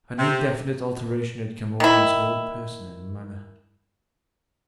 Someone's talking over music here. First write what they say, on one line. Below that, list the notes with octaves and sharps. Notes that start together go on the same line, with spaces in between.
An indefinite alteration had come over his whole person and manner.
C3
D#3 E4